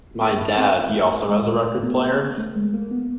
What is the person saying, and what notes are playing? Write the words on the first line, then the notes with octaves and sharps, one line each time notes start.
my dad, he also has a record player,
A#3
C4
A#3
G#3
A3
B3
A#3
A#3
A3
G#3
A#3
A#3
B3